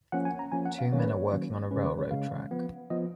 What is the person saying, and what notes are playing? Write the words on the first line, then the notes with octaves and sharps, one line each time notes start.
Two men are working on a railroad track.
F3 A#3 C#4 F#5
G#5
A#5
F3 A#3 C#4 G#5
F#5
F5
D#3 F#3 A#3 C#4 C#5
B4
C#5
D#3 F#3 A#3 C#4
C#3 G#3 C#4 B4
B4
C#5
C#3 G#3 C#4 F5
F3 B3
F3 B3 D#5